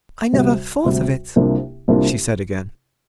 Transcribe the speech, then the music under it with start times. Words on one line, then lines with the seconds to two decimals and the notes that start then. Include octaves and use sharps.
"I never thought of it," she said again.
0.33 D2 C3 G3
0.85 D2 C3 G3
1.36 C2 C3 A#3 D4 F4
1.88 C2 C3 A#3 D4 F4